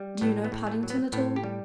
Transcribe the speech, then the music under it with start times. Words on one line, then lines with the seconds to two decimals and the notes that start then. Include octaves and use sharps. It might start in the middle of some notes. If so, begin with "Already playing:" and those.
"Do you know Paddington at all?"
Already playing: G3
0.21 A2 B3
0.44 B3
0.52 A2
0.67 A3
0.83 F#3
0.90 B3
1.13 A2 B3
1.36 G4
1.44 G3